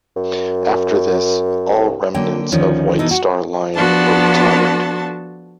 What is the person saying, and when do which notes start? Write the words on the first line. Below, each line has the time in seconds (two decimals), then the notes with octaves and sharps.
After this, all remnants of White Star Line were retired.
0.16 F#2
1.76 C2
2.14 D3 F#3 A#3 G5
2.52 D2 D#3 F3 C#4
2.99 B2 E3 D#4 A4
3.11 F#4
3.74 F3 B3 D4 F#4 A4 A5